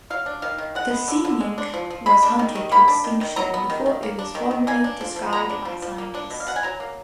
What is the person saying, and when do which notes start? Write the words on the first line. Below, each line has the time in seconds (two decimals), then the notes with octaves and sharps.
The sea mink was hunted to extinction before it was formally described by scientists.
0.10 F#3 F5
0.26 D4
0.42 D#3 F5
0.58 D#3
0.75 G#3 F#5
0.91 B3
1.08 D3
1.25 D3
1.41 G#3
1.58 D4
1.74 F3
1.90 F3
2.06 G#3 B5
2.23 D4
2.39 D#3
2.55 D#3
2.72 A#3 B5
2.88 D4
3.04 D#3
3.21 D#3
3.36 F#3 A#5
3.54 B3
3.70 D#3
3.86 D#3
4.03 A#3
4.19 D4
4.35 D#3
4.51 D#3
4.67 A#3 G#5
4.84 D4
5.01 F3
5.16 F3
5.33 B3 A#5
5.50 D4
5.65 F3
5.82 F3
5.98 A#3
6.15 D4
6.30 B2
6.40 F5
6.47 B2 F#5
6.56 G#5
6.63 F#3 A#5
6.80 A#3